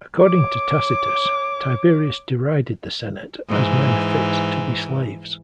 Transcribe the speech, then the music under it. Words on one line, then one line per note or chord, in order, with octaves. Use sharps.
According to Tacitus, Tiberius derided the Senate as men fit to be slaves.
C#5 D6
G#2 E3